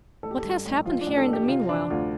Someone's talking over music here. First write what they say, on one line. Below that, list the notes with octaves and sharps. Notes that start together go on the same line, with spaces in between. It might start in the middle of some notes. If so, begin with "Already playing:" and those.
"What has happened here in the meanwhile?"
A1 A4
G4
A4
G2
A1
F3 F4
D4
A1
A4
A1
G4
C3 F4
F3 D4
D2 F4